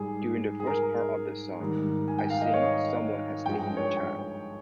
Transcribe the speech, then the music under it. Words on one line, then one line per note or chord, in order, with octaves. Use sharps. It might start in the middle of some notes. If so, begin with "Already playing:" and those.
During the first part of the song, I sing 'Someone has taken a child.
Already playing: G#2 G3 G#4
G#4
A#4
G#2 D#3 G3
G#5
G5
F5
D#5
C#5
G2 F3 G#3 G5
C#5
G5